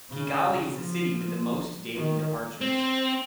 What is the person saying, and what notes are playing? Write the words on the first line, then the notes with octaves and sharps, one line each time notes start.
Kigali is the city with the most daily departures.
C#3
F3
D#3
C4